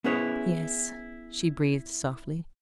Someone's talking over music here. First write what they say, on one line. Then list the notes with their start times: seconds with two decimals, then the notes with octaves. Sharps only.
"Yes," she breathed softly.
0.04 B3 C#4 E4 G#4 B4 C#5